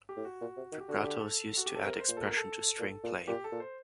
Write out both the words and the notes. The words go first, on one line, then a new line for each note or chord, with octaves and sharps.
Vibrato is used to add expression to string playing.
G4
A2
F#4
A#2
C3
D#3
G4
D3 F#4
G4
A4
F#4
G4
A4
C3 A#4
C5
A#2
A4
A#4
A4
A#2
A#2
A#2 G4
A4
A#2
C5